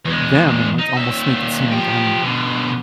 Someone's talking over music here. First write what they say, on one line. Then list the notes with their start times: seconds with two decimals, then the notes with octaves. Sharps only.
them," and, like, almost make it seem like I'm
0.05 E2 G#3
0.79 D#4
0.97 D#2 E5
1.72 F3 G4
2.23 B2 D3